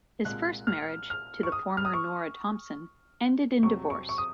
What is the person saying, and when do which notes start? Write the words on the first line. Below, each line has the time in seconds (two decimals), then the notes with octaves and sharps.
His first marriage, to the former Norah Thompson, ended in divorce.
0.25 C2 A#2 G#3 F#6
0.67 F6
1.10 F6
1.43 C#6
1.52 D#6
1.77 F6
1.85 D#6
1.94 C#6
3.62 F2 C3 F#3 C#6
3.90 C#6
4.09 C#6
4.18 D#6